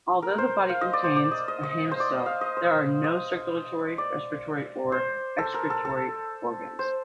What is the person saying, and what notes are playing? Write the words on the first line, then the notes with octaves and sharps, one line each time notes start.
Although the body contains a haemocoel, there are no circulatory, respiratory, or excretory organs.
A#4
C5
F5
D#5
D5
C5
D5
D#5
D#5
D#5
C5
D5
D#5
F5
D#5
C5
D#5
D5
C5
A4
A#4
A4
A4
C5